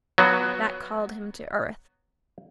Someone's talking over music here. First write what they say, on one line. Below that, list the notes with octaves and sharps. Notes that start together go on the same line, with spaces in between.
That called him to earth.
F#3 B3 F#4